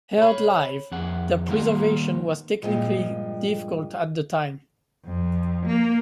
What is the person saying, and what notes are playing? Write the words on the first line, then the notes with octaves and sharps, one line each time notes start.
Aired live, their preservation was technically difficult at the time.
C#5 B5
F2 G#4 F#5
D#3 G3 A#3 B3 F4
G2 A#2 F3 G#3
F2
A#3